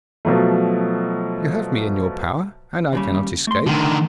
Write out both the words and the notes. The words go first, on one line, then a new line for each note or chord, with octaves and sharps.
'You have me in your power, and I cannot escape.
B2 F3 F#3 A3
D#2 C#3 G3
A3 C6
D3 D#3